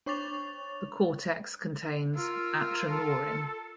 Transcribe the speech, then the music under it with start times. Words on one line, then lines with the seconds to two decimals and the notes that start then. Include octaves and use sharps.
The cortex contains atranorin.
0.06 D4 C#5 C#6 D6 A6 F7
2.15 F4 A#4 E6
2.88 A4